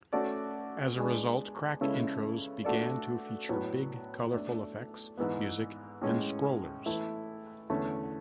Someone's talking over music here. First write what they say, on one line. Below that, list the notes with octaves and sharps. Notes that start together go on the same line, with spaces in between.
As a result, crack intros began to feature big colourful effects, music, and scrollers.
A3 C#4 F#4 A4 D5
G#3 B3 D4 G#4
C#3 G#3 C#4 E4 A4
A3 D4 F#4 A4 D5
A2 F#3 B3
A3 D4 A4
G#2 E3 G#3 B3
A2 G#3 C#4
E3 A3 E4
E2 D3 A3 C#4